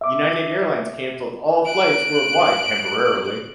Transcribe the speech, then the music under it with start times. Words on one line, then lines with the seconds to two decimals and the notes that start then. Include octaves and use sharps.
United Airlines cancelled all flights worldwide temporarily.
0.01 E5 D6
1.66 F#6 D7